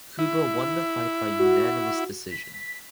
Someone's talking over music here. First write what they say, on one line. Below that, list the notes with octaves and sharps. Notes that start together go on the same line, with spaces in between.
Kubo won the fight by unanimous decision.
E4
F#4
B6